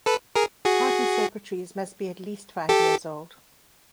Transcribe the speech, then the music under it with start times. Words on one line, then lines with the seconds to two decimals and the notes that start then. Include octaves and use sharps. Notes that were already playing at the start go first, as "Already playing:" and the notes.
Party secretaries must be at least five years old.
0.06 A4 B4
0.36 G#4 A#4
0.65 F#4 G#4
2.69 G4 A4